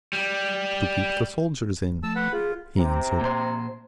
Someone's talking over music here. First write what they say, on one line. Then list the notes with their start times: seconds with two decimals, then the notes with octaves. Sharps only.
"To keep the soldiers in," he answered.
0.13 G3
2.03 F3 A3 A5 E6
2.16 B4 F#5
2.33 F4 G#4
2.77 C3 C4 A#5
3.21 A#2 C5